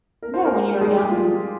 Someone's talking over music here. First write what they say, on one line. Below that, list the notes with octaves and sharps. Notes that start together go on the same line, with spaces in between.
Yeah, when you were young, and
A#4
C5
A#3 A#4
G#3 G#4
G3 G4
F3 F4